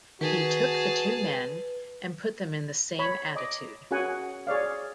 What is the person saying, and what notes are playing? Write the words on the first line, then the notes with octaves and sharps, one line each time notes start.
He took the two men, and put them in the same attitude.
D#3 F#4 G#4 B4 A5
C#5 B5
D#5 D6
C#4 F#4 G#4 A#4 F#5 G#5
G#4 C#5 D5 F5